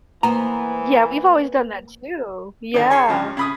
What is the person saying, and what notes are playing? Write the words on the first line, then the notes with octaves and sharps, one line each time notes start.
Yeah. We've always done that, too. Yeah.
E3 A#3 B3 C5 A#5
D3 D#3
G#4 C#5 C6
G2 C#3 F3
C#3 B5 D#6